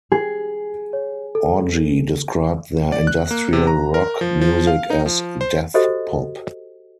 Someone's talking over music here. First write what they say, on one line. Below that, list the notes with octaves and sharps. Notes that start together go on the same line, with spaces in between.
Orgy described their industrial rock music as "death pop".
G#4
C#5
A4
D5
F#6
A#3
C3
A#5
A#4
F3
F3
F5
D#4
F3
C5
F#4 G4 A4 C5 D#5